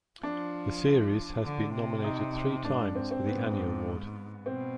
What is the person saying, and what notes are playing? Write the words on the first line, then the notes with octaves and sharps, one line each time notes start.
The series has been nominated three times for the Annie Award.
F3 D4
D3
C3
D#4
G#2 D4
C4
C4
G#2 B3
B2 C4